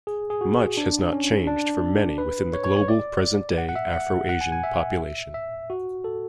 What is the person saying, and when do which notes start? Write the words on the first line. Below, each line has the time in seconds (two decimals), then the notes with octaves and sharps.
Much has not changed for many within the global, present-day, Afro-Asian population.
0.07 G#4
0.30 G#4
0.41 F#4
0.77 D4
1.13 C#4
1.47 D4
2.18 B4
2.53 C#5
2.64 C#5
2.77 C#5
2.88 D5
3.58 F#5
3.69 F#5
3.76 E5
3.93 F#5
4.29 F#5
4.41 G#5
4.52 G#5
4.63 E5
5.34 E5
5.70 F#4
6.04 A4